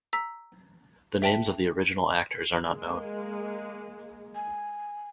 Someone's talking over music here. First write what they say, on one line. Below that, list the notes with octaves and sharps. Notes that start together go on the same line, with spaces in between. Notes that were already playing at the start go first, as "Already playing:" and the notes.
The names of the original actors are not known.
A#5 E6 B6
E5 G5 A5 B6
G#3 A#3
G#5